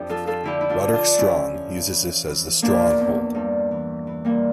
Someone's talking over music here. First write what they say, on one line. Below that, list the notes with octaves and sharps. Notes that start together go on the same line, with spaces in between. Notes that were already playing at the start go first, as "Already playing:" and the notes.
Roderick Strong uses this as the "Strong Hold".
Already playing: F2 D4 G4
F3 F4 A4
F4 A4
D3 E4 G4
E4
D4 F4
D3
D4 F4
F3 C#4 E4
F3
E3
E3
F3 A#3 D4
E2
G2
E3
E3
G3 A#3